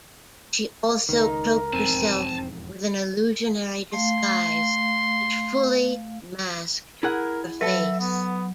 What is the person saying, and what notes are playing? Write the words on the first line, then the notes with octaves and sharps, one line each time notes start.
She also cloaked herself with an illusionary disguise which fully masked her face.
C#2 D#3 D#4 A#4
E1 F2 G#2 C4 G#5 A5
A3 F5 C6
E4 G#4 A#4 F#5
F#3 A4 B4 E5
B3